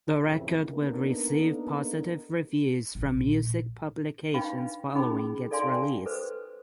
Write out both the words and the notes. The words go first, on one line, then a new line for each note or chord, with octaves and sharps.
The record would receive positive reviews from music publications following its release.
F2 A2 C#3 E3 E4
A#3 B3 D4 D#4 A4 A#4
A#1
D4 D#4 B4 F5 G5 B5
C#4 D#4 G#4 G5 B5
D#4 A4 D5 F5 G#5 C6
G5 A5
A4 B4 C5